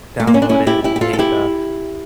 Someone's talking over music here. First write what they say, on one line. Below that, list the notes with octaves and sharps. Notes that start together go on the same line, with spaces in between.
download it and pay the
A3
A#3
C#4
D4
C#4 E4
E4 G4
E4 G4
G4
F4 A4
A4
E4 G4